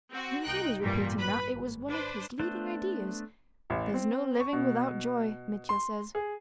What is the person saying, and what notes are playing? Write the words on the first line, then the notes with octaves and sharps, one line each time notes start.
He was always repeating that, it was one of his leading ideas.... 'There's no living without joy,' Mitya says....
C4 F#4
C2 D#4 G5 F#6
A1 G2 A#2 G3 A3
B4 B5
G#1
D4 B4 C5
A3 B3 D4 C5
A1
C4
C#6
B2
C6
G#4